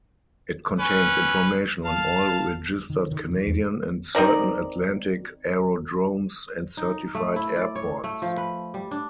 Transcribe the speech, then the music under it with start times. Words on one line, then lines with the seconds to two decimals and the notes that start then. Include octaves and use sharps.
It contains information on all registered Canadian and certain Atlantic aerodromes and certified airports.
0.79 C#4 B4
1.85 F5 A5
2.90 D#3
3.11 D#3
3.31 E3
3.47 E2
4.15 C4 D#4 A#4 D5
6.77 D#4
7.15 A3
7.36 E4
7.56 D5
7.76 C#5
8.04 A3
8.22 F3
8.37 B4
8.74 G3
8.91 D4